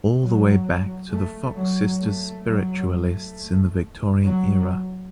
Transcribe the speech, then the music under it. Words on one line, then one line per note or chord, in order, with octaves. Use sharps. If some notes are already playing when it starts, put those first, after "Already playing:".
All the way back to the Fox sisters spiritualists in the Victorian era.
F#3
A3
F#3
A3
F#3
A3
F#3